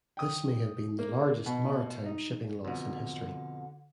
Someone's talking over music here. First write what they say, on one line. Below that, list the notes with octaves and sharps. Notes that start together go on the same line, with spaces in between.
This may have been the largest maritime shipping loss in history.
G5 D#6
A#3
B2
D#4
F2 B2 D3